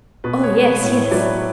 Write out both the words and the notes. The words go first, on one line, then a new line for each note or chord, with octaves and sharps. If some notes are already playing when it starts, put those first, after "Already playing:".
"Oh, yes, yes!"
B2 B4
C#5
G#3
B4
A2 C#5
C#5
F#3 A3 B4 D5